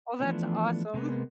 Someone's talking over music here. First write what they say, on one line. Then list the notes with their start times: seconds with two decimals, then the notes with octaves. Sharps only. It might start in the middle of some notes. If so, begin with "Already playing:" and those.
Oh, that's awesome.
0.20 E3 F3 A3 B3 D4
0.94 C3 G#3 A#3 B3